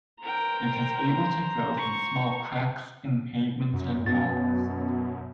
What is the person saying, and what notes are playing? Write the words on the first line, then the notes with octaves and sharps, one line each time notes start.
It is able to grow from small cracks in pavements and walls.
A#4 C5 G5 A#5
C#6
F#2
F#2 B2 A6